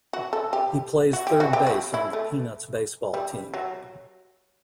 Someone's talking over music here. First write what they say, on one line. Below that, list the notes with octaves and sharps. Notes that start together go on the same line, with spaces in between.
He plays third base on the Peanuts baseball team.
F#4
A4
G4
F#4
G4
F#4
G4
F#4
E4
A3
G3
F#3